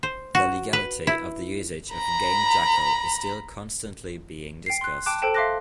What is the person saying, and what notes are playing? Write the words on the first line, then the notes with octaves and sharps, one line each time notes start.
The legality of the usage of Game Jackal is still constantly being discussed.
C5
F#4
B4
E4
A#5 B5
G5 C7
C6 F#6
G5 A5 D6 F#6
A4 C5 G5 A5
E5 F5 C6 D6 F#6 A#6